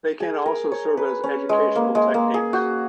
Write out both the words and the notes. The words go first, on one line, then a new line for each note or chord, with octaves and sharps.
They can also serve as educational techniques.
G#4
A#4
C#5
B4
C#4
G#3
A#3
G#3
A#3
G#4
F#4